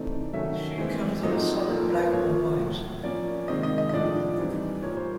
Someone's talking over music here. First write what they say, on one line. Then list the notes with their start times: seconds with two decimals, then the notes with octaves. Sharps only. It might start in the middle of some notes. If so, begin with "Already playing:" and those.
The shoe comes in a solid black or white.
Already playing: C3 E3 A3 C4 D#4 D5
0.33 D#3 F#3 A3 C#4 E5
0.78 E3 G#3 C4
1.23 A#2 F#3 A3 C4 D#4 D#5
1.69 A#2 F3 A#3 A4
1.81 A#4
1.92 B4
2.02 C5
2.13 A#2 F3 A3 C#4 C#5
2.58 A2 F#3 A3
3.03 F3 A#3 C#4 D5
3.48 C3 D#3 G#3 C4 D#5
3.63 D#5
3.78 D#5
3.89 D#5
3.93 A2 F3 A3 D4 D5
4.38 E3 G3 C4 D#4
4.83 A#2 G3 A#3 C#5
4.97 C5